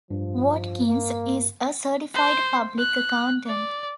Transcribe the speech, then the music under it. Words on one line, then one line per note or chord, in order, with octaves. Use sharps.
Watkins is a Certified Public Accountant.
G2 F3
A#3
C5
F#6
D5